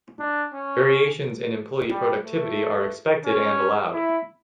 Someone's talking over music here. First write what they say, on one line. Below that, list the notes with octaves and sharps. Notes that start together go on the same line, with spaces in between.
Variations in employee productivity are expected and allowed.
D4
C#4
G3
A3
C#4
E4